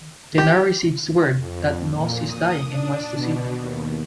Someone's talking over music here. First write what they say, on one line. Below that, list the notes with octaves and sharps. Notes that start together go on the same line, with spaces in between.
Tenar receives word that Moss is dying and wants to see her.
G4
F2
A#2
D#6
D4
B2
D#2